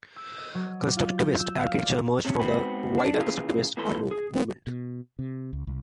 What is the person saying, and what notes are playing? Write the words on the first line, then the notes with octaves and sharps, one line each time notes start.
Constructivist architecture emerged from the wider constructivist art movement.
E6
D#5
F#3
D6
F4
G6
E6
F5
D5
C3 C#4
G#2 B3 C4 F#4 B4
D4
A#2 C#3 E3 F4 G#4
E2 A#2 E3 A4 B4 C6
G#4
B2
C3
C#2
C2